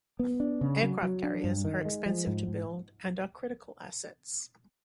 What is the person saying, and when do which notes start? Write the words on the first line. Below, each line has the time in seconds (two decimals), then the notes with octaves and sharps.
Aircraft carriers are expensive to build and are critical assets.
0.19 B3
0.40 D4
0.61 C#3
0.82 F#3
1.03 F#3
1.23 D4
1.44 G2
1.65 D#3
1.85 G#3
2.06 F3
2.27 G#2
2.48 G#2